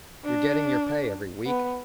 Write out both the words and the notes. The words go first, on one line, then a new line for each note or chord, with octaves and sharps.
You're getting your pay every week.
D4
B3